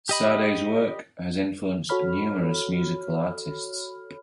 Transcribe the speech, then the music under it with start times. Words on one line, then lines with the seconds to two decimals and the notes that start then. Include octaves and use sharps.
Sade's work has influenced numerous musical artists.
0.09 G4 D#5 B5
1.89 F#4 A4 C#5 B5 F6